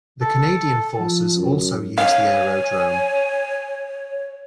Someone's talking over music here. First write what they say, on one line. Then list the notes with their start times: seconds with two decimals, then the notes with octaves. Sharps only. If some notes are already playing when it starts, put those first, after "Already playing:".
The Canadian Forces also use the aerodrome.
0.21 A4
0.99 F3
1.36 F#2
1.98 C#5 F5 G#5